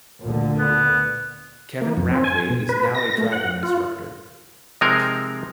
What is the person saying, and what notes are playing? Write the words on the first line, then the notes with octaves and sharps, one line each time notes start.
Kevin Rapley is now a driving instructor.
D2 A#2 D3
B3
A#3
F2
C4
G#5
B2
B4
A#6
A3
F#5
F4
C3 F3 G#3 C4 D#4 A#4